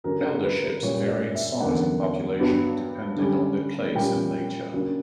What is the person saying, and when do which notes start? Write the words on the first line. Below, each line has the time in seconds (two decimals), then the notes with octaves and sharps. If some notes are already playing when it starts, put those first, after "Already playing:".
Elderships vary in size and population depending on their place and nature.
0.04 G2 D3 F#3 C#4 A#4
0.44 B4
0.55 A#4
0.66 B4
0.82 A#2 G3 A#3 C#4 C#5
1.08 D5
1.35 E5
1.60 E2 D3 A#3 C#4 F#5
2.39 G2 F#3 B3 D4
3.17 D3 G3 C#4
3.95 A#2 G3 C#4 G5
4.73 C#3 F#3 A#3 D4